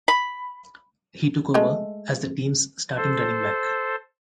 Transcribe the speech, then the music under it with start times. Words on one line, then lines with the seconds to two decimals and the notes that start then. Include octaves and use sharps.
He took over as the teams starting running back.
0.08 B5
1.54 G#3 A3
2.97 A4 C5